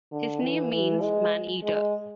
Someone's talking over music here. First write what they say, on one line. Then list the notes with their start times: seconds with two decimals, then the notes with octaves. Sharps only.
His name means "man eater".
0.12 D3
0.42 E3
0.72 E3
1.02 G#3
1.63 G#3